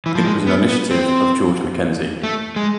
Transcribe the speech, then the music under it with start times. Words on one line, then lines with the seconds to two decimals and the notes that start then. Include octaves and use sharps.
It was an initiative of George Mackenzie.
0.06 E3
0.15 F3
0.25 G#3
0.47 B3
0.68 B3
0.91 C4
2.23 A3
2.56 G#3